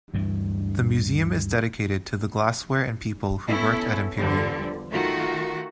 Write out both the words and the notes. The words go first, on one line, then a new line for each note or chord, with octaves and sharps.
The museum is dedicated to the glassware and people who worked at Imperial.
D2 G2 E3
B3 C#4 E4 A4
E2 D3 F3 G3
D#3 A3 F4 F#4